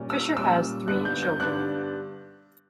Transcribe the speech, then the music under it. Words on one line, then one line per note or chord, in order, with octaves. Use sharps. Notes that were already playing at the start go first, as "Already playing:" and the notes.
Fisher has three children.
Already playing: A#2 G3 C#4
E6
A#2 G3 C#4 E6
G2 D3 G3 B3 D4 F#6
G6
G6
G2 D3 G3 B3 D4 F#6